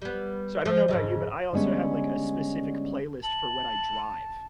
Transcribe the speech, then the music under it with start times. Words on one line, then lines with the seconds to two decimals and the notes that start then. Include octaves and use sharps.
So, I don't know about you, but I also have, like, a specific playlist for when I drive.
0.02 G3 B3
0.65 F3
0.88 F2 G#2 C#3
1.52 D3 G3 G#3 B3 C#4
3.23 A5 F#7